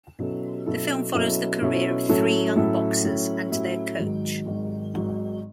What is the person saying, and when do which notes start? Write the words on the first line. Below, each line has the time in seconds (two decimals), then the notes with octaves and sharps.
The film follows the career of three young boxers and their coach.
0.19 B2 F#3 C#4 E4 A4
0.66 B2 F#3 C#4 E4 A4
1.14 B2 F#3 C#4 E4 A4
1.61 B2 F#3 C#4 E4 A4
2.09 A2 F#3 C#4 E4 A4
2.56 A2 F#3 C#4 E4 A4
3.04 A2 F#3 C#4 E4 A4
3.51 A2 F#3 C#4 E4 A4
3.99 G#1 G#2 D#3 F#3
4.46 G#1 G#2 D#3 F#3
4.94 G#1 G#2 D#3 F#3